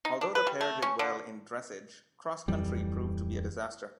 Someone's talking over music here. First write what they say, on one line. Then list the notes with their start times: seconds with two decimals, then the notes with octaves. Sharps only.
Although the pair did well in dressage, cross country proved to be a disaster.
0.05 D#4
0.21 D4
0.35 B4
0.47 G3
0.61 A3
0.82 C#4
0.99 D3
2.48 D1 F2 E3 G3